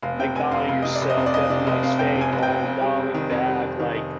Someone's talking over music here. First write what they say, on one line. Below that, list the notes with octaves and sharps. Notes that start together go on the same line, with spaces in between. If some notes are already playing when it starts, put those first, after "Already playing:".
like, valuing yourself, definitely, like, staying home, dialing back, like,
F1 F5
C3 G5
F1 G#5
F2 F5
F1 F5
C3 D#5
D5
F1
D#5
F2
D5
F1 D#5
C3 D5
F1 D#5
F2 F5
F1 G5
C3
G#5
F1
G5
F2
F2
G3
F2
D#3
F2
G3
F2
D#3
D#5